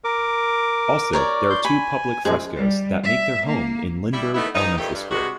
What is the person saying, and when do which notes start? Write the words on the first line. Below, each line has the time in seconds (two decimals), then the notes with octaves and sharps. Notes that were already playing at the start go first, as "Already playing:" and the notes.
Also there are two public frescoes that make their home in Lindbergh Elementary School.
0.04 A#4 D6
1.13 A#4 C#5 D5
1.50 C6 G6
1.65 G#5 B5
2.25 F#2 F3 G#3 G#4
2.56 G3
3.04 E5
3.46 A#3
4.13 G3 E4
4.34 A3 B3 D#4 E4
4.55 E3 F3 D#4
4.78 G2 A#2 A3 G4
4.94 G2
5.11 G2 C3 G#3 F#4